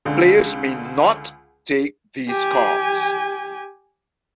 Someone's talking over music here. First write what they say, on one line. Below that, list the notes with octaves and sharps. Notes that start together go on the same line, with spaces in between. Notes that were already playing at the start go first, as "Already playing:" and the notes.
Players may "not" take these cards.
C#2 D3
G4 G#5